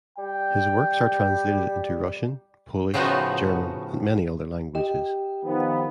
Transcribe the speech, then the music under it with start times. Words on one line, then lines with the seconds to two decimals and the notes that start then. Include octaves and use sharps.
His works are translated into Russian, Polish, German and many other languages.
0.18 G3 G5
2.94 A2 C#3 F3 B3 D#4 F#4
4.75 G4 D#5 G5
5.45 D#3 F3 B3